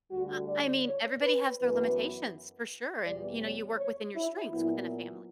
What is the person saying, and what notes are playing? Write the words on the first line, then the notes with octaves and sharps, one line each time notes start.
I I mean, everybody has their limitations, for sure, and, you know, you work within your strengths within a family.
D2 D3 G3 F#4
D5
C#5
B4
F#2 E3 B3 B4
E2 B2 G3 D5
C#5
C#5
E4
A#2 F#3 B3 E4